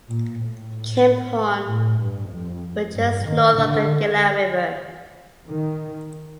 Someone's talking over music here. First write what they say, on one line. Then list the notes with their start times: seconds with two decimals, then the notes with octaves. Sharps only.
Camp Horn was just north of the Gila River.
0.09 A#2
0.40 A2
1.67 A2
1.99 G2
2.30 F2
2.94 G2
3.26 D#3
3.58 D3
5.48 D#3